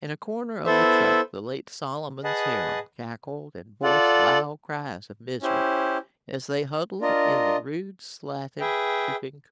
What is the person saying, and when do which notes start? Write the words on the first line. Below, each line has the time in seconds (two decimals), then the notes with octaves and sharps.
In a corner of the truck, the late Solomon's harem cackled and voiced loud cries of misery as they huddled in the rude, slatted shipping coop.
0.65 B3 E4 A4 C5 E5
2.24 G#4 B4 D#5 F#5 A5
3.83 F4 A4 D5 F#5
5.42 C#4 E4 G4 C5
7.01 D4 F4 A#4 D#5
8.60 G#4 B4 E5 G5